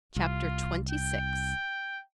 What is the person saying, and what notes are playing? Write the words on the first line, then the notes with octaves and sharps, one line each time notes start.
Chapter XXVI.
C2 F4
G5